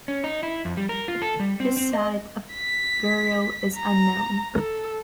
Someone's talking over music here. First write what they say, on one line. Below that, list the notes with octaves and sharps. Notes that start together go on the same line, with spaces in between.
His site of burial is unknown.
C#4
D#4
E4
F2
G3
A#4
F4
A4
G3
C4
C4
D#5
B6
A#5
A4